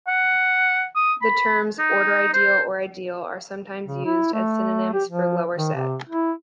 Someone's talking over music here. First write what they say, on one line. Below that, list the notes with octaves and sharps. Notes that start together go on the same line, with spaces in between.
The terms order ideal or ideal are sometimes used as synonyms for lower set.
F#5
D#6
B5
D#4
C5
C#3
E4
A3
G4
F3
D#3
C3
E4